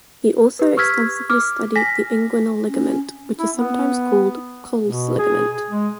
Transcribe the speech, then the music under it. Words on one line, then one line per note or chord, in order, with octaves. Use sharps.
He also extensively studied the inguinal ligament, which is sometimes called Colles' ligament.
G4 B4
C#6 E6 F6 G#6 B6
D6 F6
G#5 A#6 B6
C#4
E4
B3
B2
G#4
G#3